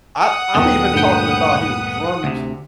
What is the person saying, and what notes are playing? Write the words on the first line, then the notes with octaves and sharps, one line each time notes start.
I I'm even talking about his drums
F#5 D#6 F#6
D#1 D3 D#3 F#3 B3 G5
D2 G2 A#2 B3 G5
D2 C3